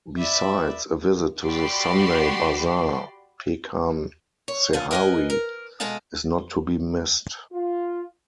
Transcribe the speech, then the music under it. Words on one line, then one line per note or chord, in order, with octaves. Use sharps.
Besides, a visit to the Sunday Bazaar "Pekan Sehari" is not to be missed.
D5 E5 B5
F#4 G4 D5 B5 C6
C#5
D3 C#4 F4
A#4 B4 D#5 F#5 G#5
A#4
B2 G#3 A4 D#5 F5 A5
F4